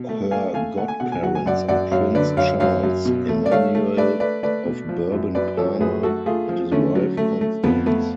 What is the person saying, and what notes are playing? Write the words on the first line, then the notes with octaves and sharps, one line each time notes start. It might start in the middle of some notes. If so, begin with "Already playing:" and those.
Her godparents are Prince Charles-Emmanuel of Bourbon-Parma and his wife Constance.
Already playing: B2
A3
A3 F5 G#5
A3 F5 G#5
A3 F#5
G#5
B2 F#5
G#5
F#3 F#5
G#5
F#2 D5 F#5
F#2 D5 F#5
F#2 C#5 F5
D3 B4 D5
F#2 C#5 F5
F#2 C#5 F5
F#2
B2
A3
D5
A3 C#5 F5
A3
A3 B4 D5
A3 B4 D5
A3 B4 D5
B2
F3
F#2
F#2 B4 D5
F3 A4 C#5
F#2 G#4 B4
A3 F#4 A4
A3 F4 G#4
F3
D3 A3 C#4
F#3
A3
A3
F2 B3
A3 B3